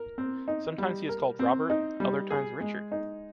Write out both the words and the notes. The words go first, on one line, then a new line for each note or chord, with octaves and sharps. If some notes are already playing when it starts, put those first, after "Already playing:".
Sometimes he is called Robert, other times Richard.
Already playing: A#4
C4
D#4
G3
A#4
C4
D#4
G3
G#4
G#3
D#4